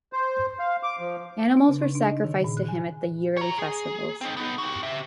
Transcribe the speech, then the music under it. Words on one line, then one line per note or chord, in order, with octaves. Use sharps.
Animals were sacrificed to him at the yearly festivals.
C5
F5
D6
F3
D4
C#3
D#4
D4
D#5
D#3
A#2
F#6
G#5
C#5 A#5
G#4
C4 D#4
B3 D#4
F#4 G4
G4 E5